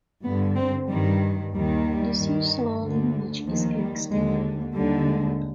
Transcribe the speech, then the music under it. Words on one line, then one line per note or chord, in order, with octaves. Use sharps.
The Siuslaw language is extinct.
G2 D3 B3
C4
G2 D#3 G3
D#2 D#3 G3
G3
G2 D#3
D2 D3
D#2 D#3 F3
G3
D#2 D3 G#3
D#2 D3 G3
G#3